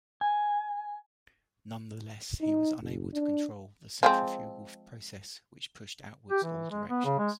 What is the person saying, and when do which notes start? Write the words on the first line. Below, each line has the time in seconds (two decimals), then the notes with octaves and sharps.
Nonetheless, he was unable to control the centrifugal process which pushed outwards all directions.
0.21 G#5
2.41 D#4
2.80 F#1
3.13 D4
4.03 F3 G#3 C4
6.31 G4
6.43 E3
6.71 G#3
6.89 B3
7.05 C#3
7.18 G#3